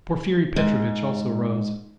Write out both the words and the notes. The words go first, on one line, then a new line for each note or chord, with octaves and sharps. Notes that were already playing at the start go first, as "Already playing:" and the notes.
Porfiry Petrovitch also rose.
G#2